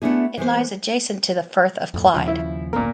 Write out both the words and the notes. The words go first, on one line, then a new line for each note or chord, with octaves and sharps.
It lies adjacent to the Firth of Clyde.
A3 B3 C#4 D4 E4 G#4
E3 G#3 A#3 B3 A#4 C5
F2 A2
D#2 C#3 F3
E4
G#1 D2 A#2 A#3 A#4